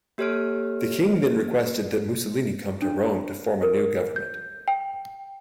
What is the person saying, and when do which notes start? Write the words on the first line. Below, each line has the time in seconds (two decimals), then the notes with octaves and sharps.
The King then requested that Mussolini come to Rome to form a new government.
0.18 A#3 G4 A4 C#5 F6 D7
2.82 D4
3.63 A#4
4.16 G6
4.68 G5